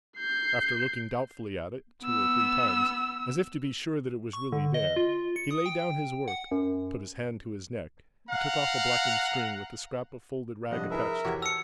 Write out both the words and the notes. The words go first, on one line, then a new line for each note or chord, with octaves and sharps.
After looking doubtfully at it, two or three times, as if to be sure that it was really there, he laid down his work, put his hand to his neck, and took off a blackened string with a scrap of folded rag attached to it.
G6 C7
B3 E6
C#6
D3
D#5
F4
C#7
D#6
G5
G5
F#5
F#2
F5 F#5 A#5
G2 C3 F3 D4 D#5 F#5
E4 G#4 A#4 B4 E5
E2 F#4 G4 C#5 G#6
A5 E6 F6 C#7